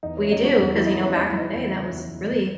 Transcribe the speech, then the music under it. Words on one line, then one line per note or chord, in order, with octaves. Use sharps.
we do 'cause, you know, back in the day, that was really
E2 D#4
C#4
C3
D#4
F#3 F#4
E2 G#4
F#3 E4
D#4
E2 C#4
E2 D#4
E4
E2 D#4
E2
C#3
E2
E2
G#2 D#4